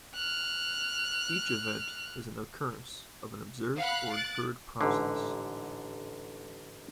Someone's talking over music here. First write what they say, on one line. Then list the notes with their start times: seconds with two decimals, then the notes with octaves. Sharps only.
Each event is an occurrence of an observed or inferred process.
0.15 F6 F#6
3.77 F5 F#5 B5 F#6
4.12 F#6 A6 D7
4.81 A1 G#2 D3